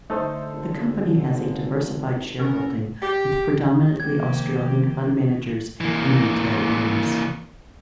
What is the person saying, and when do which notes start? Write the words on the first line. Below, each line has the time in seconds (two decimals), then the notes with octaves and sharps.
The company has a diversified shareholding with predominantly Australian fund managers and retail owners.
0.10 D3 A3 D#4 A4 C5
0.54 G#1
2.39 B3 C#4 A4 A#4
3.01 G4
4.00 C3 D#3 F3 A#3 G4 G#6
5.81 E3 A#3